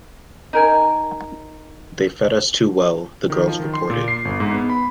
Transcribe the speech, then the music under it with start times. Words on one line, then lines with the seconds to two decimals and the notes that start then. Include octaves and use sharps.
"They fed us too well," the girls reported.
0.53 D#4 A#4 G#5
3.30 D#3
3.48 F3
3.60 D#3
3.74 C6
3.90 A#2
4.08 C7
4.25 G1
4.40 G#2
4.54 B3
4.69 B5